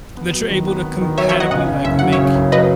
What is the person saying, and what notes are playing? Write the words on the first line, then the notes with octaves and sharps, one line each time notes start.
that you're able to compatibly, like, make
B3
F#3
D#3
B3
B3
D#3
F#3 C#5 E5
C#5 E5
B3
D#5 F#5
C#3 D#5 F#5
C#3
F#1 E5
F#3 F#5
C#5 E5
C#3
F#1
F#3 B4 D#5